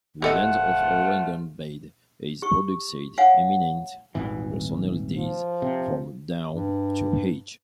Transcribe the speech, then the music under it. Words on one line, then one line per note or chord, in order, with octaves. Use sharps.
The land of Aurangabad has produced eminent personalities from down to ages.
D1 F3 A3 F4 G4 A4 D#5 F#5
G4 C#6
C#5 F5 F#5 G#5
D#1 G#1 E3
F3
C3
G2